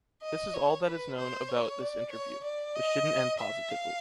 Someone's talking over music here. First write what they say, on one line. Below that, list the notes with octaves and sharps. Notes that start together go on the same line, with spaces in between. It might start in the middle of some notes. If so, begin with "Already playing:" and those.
This is all that is known about this interview, which didn’t end positively.
D#5
C#5
B4
C5
C#5
D5
C#5
D5
D#5
E5
F5